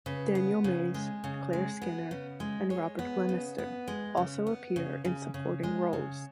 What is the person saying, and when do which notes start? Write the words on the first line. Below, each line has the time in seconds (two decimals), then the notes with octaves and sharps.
Daniel Mays, Claire Skinner and Robert Glenister also appear in supporting roles.
0.06 C#3 B4
0.35 B3
0.64 C#3
0.94 G#3
1.24 C#3
1.53 G#3
1.82 B3
2.11 C#3
2.40 G#3
2.70 G#3 C#5
2.99 B3
3.29 C#3
3.58 B3
3.88 G#3
4.17 C#3
4.47 B3
4.76 C#3
5.05 C#3
5.34 C#3
5.63 G#3
5.93 C#3